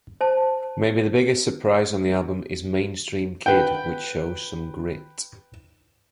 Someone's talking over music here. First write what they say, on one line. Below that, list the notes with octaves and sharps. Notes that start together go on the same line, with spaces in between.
Maybe the biggest surprise on the album is "Mainstream Kid," which shows some grit!
C5 A5
B4 G5